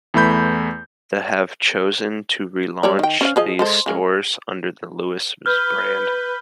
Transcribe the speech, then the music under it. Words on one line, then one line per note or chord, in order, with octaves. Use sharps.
The have chosen to relaunch these stores under the Lewis's brand.
E2 E3 A3 B5 G6
G3 C#5 D5
D#3 G5
C#4 C5 F5
F3 G#4 D#5
G#3 A4 C5
C#3 G#3 C#4
B4 F6 G6